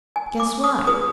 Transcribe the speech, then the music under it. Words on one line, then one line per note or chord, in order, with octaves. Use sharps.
Guess why?
G#5
D6
D#6
F4 G#4 B4 D#6